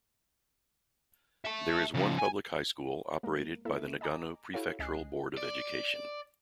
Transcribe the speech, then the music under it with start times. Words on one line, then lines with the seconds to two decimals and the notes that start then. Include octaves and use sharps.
There is one public high school operated by the Nagano Prefectural Board of Education.
1.45 E5 A5
1.94 C#3 F3
2.18 G#5
3.23 G#3 A#3 A#4
3.65 A#3 E4 A4 E5
4.01 D#5 G#5 A#5 D6
4.54 E4 F#4 G4 A4 C#5 F5
4.79 C#2 D#5 G#5 F#6 C7
5.37 D5